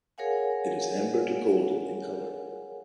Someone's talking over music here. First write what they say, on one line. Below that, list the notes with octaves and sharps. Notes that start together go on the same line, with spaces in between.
It is amber to golden in colour.
G#4 A#4 C#5 F5 F#5 G#5